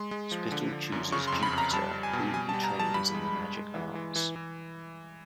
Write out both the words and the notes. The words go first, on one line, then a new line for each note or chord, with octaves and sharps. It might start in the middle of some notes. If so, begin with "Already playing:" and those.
Spittle chooses Jupiter, whom he trains in the magic arts.
Already playing: G#3 C6
G#3
F3
D3
D3
F#2
C#3 C#6
C6
F2
B5
F2 A#5
G3 A5
G3
G#5
B2
G3 G#5
A5
G3
A#5
G3
A5
G2 B5
G#3
G2
G#3
E3
E3
E3
E3